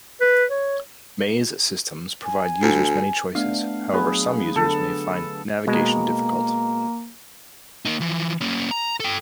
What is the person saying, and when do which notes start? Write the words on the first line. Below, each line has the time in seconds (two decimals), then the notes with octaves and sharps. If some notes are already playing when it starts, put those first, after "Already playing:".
Maze systems provide users many choices; however, some users may find navigation difficult.
0.21 B4
0.50 C#5
2.24 G#5
2.62 D2
3.35 A3 B3 D4 F5
3.93 F#3 B3 G#4
4.56 D3 A4
5.67 B2 G#3 A#3
7.85 A#3 D#4
8.00 E3 F3
8.41 A#3 C#4
8.71 A#5
9.00 A4 G5